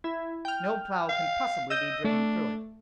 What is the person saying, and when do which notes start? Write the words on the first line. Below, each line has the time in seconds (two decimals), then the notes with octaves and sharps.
No plough can possibly be driven through it.
0.04 E4
0.45 G5 F6
1.09 F5
1.70 D#5 E6 G6
2.04 A3 D4